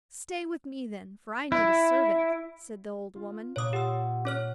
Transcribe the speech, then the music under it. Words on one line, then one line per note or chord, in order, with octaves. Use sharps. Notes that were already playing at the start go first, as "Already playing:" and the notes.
'Stay with me, then, for I need a servant,' said the old woman.
E4
F4
A#2 C#5 D6 D#6
G4 F#5 E6
C#4 C#5 F6